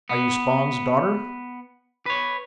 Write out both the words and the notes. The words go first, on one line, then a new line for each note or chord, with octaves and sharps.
"Are you Spawn's daughter?"
B3
B4 C#5